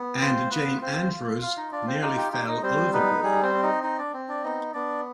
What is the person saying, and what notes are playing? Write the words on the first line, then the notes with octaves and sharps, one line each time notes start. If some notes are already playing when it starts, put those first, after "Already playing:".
And Jane Andrews nearly fell overboard.
Already playing: B3
C4 F4 C5
B3 F4 B4
C4 F4 C5
F4
F4 F5
D#4 D#5
D4 F4 D5
C4 C5
D#4 G4 G5
G4 G5
D#4 G4 G5
D#4 D#5
G3 C4 C5
B3 D#4 B4
G3 G#4
C4 C5
C4
D#4 D#5
D#4 D#5
D4 D5
C4
D4 D5
B3 D#4 D#5
B3 D4 D5